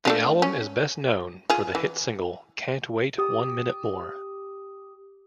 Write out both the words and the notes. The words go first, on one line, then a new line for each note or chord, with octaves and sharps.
The album is best known for the hit single "Can't Wait One Minute More".
A3 D4 F4
C#4
F4 G#4
E3
G4 D#6